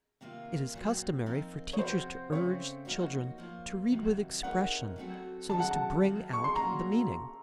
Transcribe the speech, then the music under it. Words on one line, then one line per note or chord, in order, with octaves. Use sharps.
It is customary for teachers to urge children to read with expression, so as to bring out the meaning.
C3 D#3 A#3 F4
A#2 F#3 C4
F3 C4 D#4 A#4
C#5
C3 F3 C4 F#4 C5
C#3 A3 C4 C#5
F3 A#3 D#4 F#4
F3 A#3 F4
F2 C3 D#3 F#3
A3 C4 D#4 A#4 C#5 F#5
F#3 A3 C4 F#4 A4
F#2 D#3 F#3 A3 A5
F#5
A5
D#3 F#3 C4 F4
C#6
C6
A#2 F#3 A#3 C#4 F#4 A#5